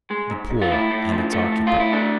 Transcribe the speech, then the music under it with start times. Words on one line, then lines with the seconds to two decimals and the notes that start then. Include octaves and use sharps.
The pool--and its occupant.
0.11 G#3
0.31 G#2
0.50 G#2
0.62 F4
0.71 A2 E4
0.91 A2
1.12 F3
1.32 A3
1.52 A2
1.67 F4
1.73 A2
1.80 E4
1.92 A3 D4